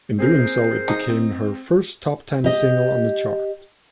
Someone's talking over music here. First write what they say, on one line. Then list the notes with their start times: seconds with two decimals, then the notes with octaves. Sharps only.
In doing so, it became her first top-ten single on the chart.
0.19 C4 G#4 A#4 C5
0.88 D#4
1.09 C4
2.44 G4 D#5